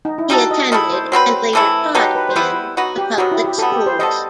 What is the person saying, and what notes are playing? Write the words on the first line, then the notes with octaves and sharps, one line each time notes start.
He attended and later taught in the public schools.
D#4
E4
G3 D#4 F#4 A4
D#5
D#3 A3 E4 D#5
C5
F#3 C4 F#4 B4 C5
C3 E3 A3 E4
F#3 A3 D#4 G4 B4
B4
C5
G3 B3 E4 B4
F#3 B3 D#4 F#4
G4
C3 D#3 F#3 B3 F#4
E4
G4
E3 G3 B3 A4
G4
C5
G3 B3 E4 A4 D#5